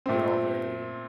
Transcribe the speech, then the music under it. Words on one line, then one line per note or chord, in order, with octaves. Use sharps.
They're all very
A#2 A3 C4